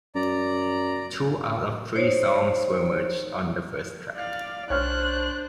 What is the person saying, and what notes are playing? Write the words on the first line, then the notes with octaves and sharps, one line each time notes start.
Two out of the three songs were merged on the first track.
F#2 D5 A#5
D#4 C5 C#5
D5 F5
B1 D4 C5 C#5 F6 F#6